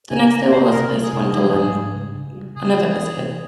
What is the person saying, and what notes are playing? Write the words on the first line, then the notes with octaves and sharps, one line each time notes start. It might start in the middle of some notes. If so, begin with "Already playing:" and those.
The next day, Wallace pays Wendolene another visit.
C#3 G#5
A#3 A#5
C#3 C5
G#4
C3 A#4
G3
G#4
C3
F3 G#4
G#2
G#3
C#3
C#3
G3
C#3 G#4
E3
E3
C3